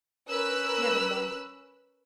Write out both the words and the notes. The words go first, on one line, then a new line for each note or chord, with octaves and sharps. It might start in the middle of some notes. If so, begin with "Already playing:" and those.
Never mind.
C#4 A#4 B4 E6 F#6